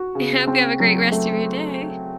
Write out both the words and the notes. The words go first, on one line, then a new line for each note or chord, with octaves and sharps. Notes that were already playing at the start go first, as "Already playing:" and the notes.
I hope you have a great rest of your day.
Already playing: F#4
C#3
C4
F#3
A3